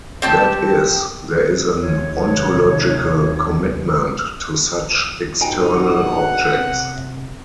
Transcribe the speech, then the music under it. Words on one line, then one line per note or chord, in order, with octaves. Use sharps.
That is, there is an "ontological commitment" to such external objects.
C4 G4 A5
D#2 C3 C#5
G#2 B2 D3 D#4 F4 G5 G#5
F#5
C3